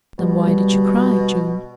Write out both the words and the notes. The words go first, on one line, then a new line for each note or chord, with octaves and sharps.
"Then why did you cry, June?"
B2 G3
G3
G3